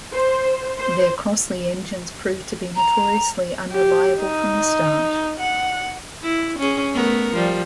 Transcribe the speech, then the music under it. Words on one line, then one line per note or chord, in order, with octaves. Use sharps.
Their Crossley engines proved to be notoriously unreliable from the start.
C5
C5
A#5
G4
D#4
F#5
E4
C#4 G#4
A3 B3 A#4
F3 G3